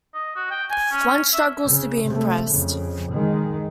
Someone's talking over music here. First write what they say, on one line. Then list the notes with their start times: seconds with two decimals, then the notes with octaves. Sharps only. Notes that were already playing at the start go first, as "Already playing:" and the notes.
One struggles to be impressed.
0.14 D#5
0.36 F#4
0.51 G5
0.71 G#5
0.92 C#4
1.33 E5
1.65 C#3
2.07 C3 A3
2.48 F2 C#3
3.12 D#3 G#3